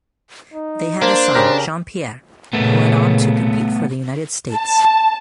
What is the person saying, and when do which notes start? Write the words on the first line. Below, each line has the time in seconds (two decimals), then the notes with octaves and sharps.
They had a son, Jean-Pierre, who went on to compete for the United States.
0.54 D#4
1.02 A#3 D4 C5
1.35 C#3 G4 A#4
2.53 A#2 C#3 A3 B3
4.54 A5